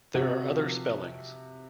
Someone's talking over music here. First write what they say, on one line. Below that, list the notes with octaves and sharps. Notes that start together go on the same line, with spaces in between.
There are other spellings.
C3 F#4
F3